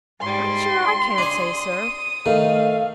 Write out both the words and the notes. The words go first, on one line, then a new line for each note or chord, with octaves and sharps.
'I'm sure I can't say, sir.
G#2 G3 C6
D4 G#5 D#6
D#3 A3 F5